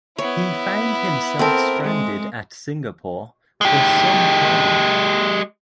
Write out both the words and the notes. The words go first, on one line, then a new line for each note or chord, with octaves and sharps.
He found himself stranded at Singapore for some time.
B3 E4 C#5
C4 A4 A#4
G#3
G#3 G4